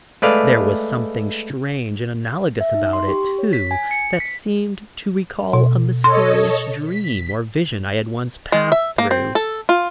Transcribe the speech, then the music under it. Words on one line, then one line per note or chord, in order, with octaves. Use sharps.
There was something strange and analogous about it, too, that seemed to recall a mysterious dream or vision I had once passed through.
G#3 A3 B4 D5 F5
E5
D#4
C6
G4
C#5
B6
G#5
C#7
B6
B2
A4 C#5 D#5 C6
B6
G#3
E5
A#3
C4
A4
F4